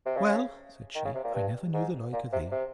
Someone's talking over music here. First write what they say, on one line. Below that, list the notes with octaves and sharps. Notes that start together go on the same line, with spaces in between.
Well, said she, I never knew the like of thee.
C3
C#3
D#3
C#3
C3
A#2
G2
G#2
A#2
C3
C3